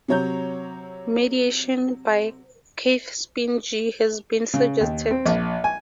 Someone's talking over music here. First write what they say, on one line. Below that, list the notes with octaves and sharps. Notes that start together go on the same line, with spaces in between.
Mediation by cathepsin G has been suggested.
C3 F#3 C#5 A#5 G6
C#3
D#2
C4
A#1
G#5